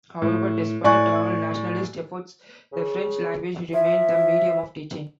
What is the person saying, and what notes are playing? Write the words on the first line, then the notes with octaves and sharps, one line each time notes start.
However, despite all nationalist efforts, the French language remained the medium of teaching.
A2
A2 D5 G#5 C#6 F#6
C#3
F3 E5